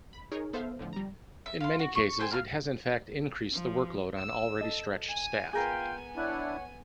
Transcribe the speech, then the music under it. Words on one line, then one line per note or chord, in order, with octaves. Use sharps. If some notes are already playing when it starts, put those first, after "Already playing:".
In many cases it has in fact increased the workload on already stretched staff.
B5
D#4 G#4 A#4 C#5
B3 A4 C5 E5 F5
A2 D3 F3
G3 A#5
E5
F5 C6
F#4
C#6
A4 C5 G5 G#5
F5 A5 F6
F3
E6
A4 D#5
G#5
B3 F4 G#4 A#4 B4 G5 G#5
D4 E4 C#5 F#5